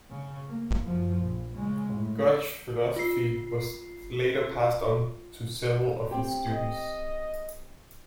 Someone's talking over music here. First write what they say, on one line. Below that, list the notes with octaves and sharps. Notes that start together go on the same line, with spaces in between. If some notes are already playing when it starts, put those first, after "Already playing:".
Gotch's philosophy was later passed on to several of his students.
C#3
A#3
F#2 F3
A#1
C#3 G#3
A2
F4 C7
C4 G4
D#5